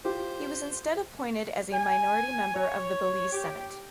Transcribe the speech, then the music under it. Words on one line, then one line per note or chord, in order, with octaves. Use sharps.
He was instead appointed as a minority member of the Belize Senate.
F4 G4 C5
G#5
C#5
G4